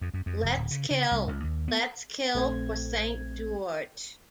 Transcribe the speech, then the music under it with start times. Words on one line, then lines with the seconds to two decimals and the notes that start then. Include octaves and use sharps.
Let's kill, let's kill", "for Saint George!
0.01 F2
0.14 F#2
0.26 F2
0.43 F1
0.57 D1
0.71 C#3
0.91 C#3
1.11 C2
1.27 C#2
1.44 D#2
1.68 B3
2.34 A#1 A3 C4 G#6